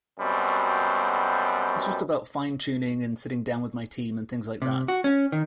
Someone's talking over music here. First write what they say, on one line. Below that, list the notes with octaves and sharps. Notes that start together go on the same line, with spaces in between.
It's just about fine-tuning and sitting down with my team and things like that.
F#2 B2 G3 C4
C3
F#4
C#4
D#3